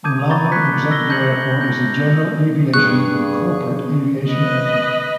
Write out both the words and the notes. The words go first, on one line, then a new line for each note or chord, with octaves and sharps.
Orlando Executive Airport is a general aviation and corporate aviation airport.
A5 D6 D#6 G6 G#6 D#7
A#5 B5 C#6 D6 G6 A6
F#6 G#6 B6 C#7
E6 A#6 G7
A5 G6 G#6 A#6 C#7 F#7
G6 A#6
G2 G#4 C#6 F#6
B4 D#5